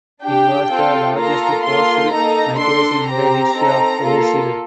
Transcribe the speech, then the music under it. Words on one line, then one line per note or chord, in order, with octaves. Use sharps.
It was the largest forced migration in the history of Brazil.
D4 G4 G5
C4 F4 A4
A#3 F4 A4 A#5
A#3 F4 A4 C6
A#3 D#4 A4 A#5
D4 A4 C6
C4 G4 A#5
C4 D#4 A4
A#3 F4 A4